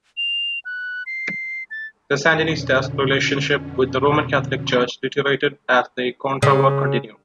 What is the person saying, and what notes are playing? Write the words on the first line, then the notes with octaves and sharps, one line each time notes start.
The Sandinistas' relationship with the Roman Catholic Church deteriorated as the Contra War continued.
F7
F#6
C7
A6
F2 B2 D3 C#4
C#3